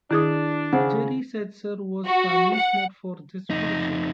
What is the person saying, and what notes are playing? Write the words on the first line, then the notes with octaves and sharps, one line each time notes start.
Jerry Seltzer was commissioner for this version.
D#3 D4 E4 G#4 D#6
C#3 C5 F#5
F#4
F#5
F2 D#4